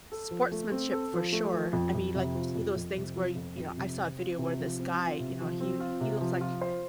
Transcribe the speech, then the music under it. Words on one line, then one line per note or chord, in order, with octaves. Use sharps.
Sportsmanship for sure. I mean, like, you see those things where y you know, I saw a video where this guy, you know, he he looks like
A4
F3
A3
C4
A4
F3
A3
F3
F2
F2
C3
F3
F2
F2
C3
F3
F2
F2
C3
C4
F4
C3
F3
C4
F4
C3
F3
C4
F4
C3
F3
F4
C5